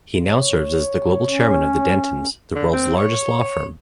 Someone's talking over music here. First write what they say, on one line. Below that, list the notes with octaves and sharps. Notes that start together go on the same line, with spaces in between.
He now serves as the global chairman of Dentons, the world's largest law firm.
C#5
C#4
D3
C4
C#5